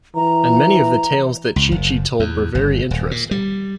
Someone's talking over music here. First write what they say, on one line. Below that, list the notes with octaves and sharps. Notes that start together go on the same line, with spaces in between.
And many of the tales that Chee-Chee told were very interesting.
E3 A#5
C#2
F#1
E2
G1
D#1
A#2
G3